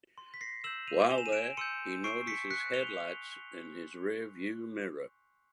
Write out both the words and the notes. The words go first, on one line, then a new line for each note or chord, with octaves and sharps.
While there he notices headlights in his rear view mirror.
C6
B6
A#6 C7
E6 G6 E7 F#7
D#7 F7
G#5 F7
E7
D#7
D7 E7
C6 E6 G6 C#7 D#7
C#6 C7 D7
B6 C#7
F#6 B6 C#7
F7 G7